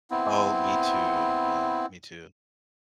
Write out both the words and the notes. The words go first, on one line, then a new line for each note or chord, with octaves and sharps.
Oh, me too. Yeah, me too.
B3 C4 E4